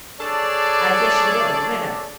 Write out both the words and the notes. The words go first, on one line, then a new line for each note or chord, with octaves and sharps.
I guess you're the winner!
D4 G#4 A4 C#5 D5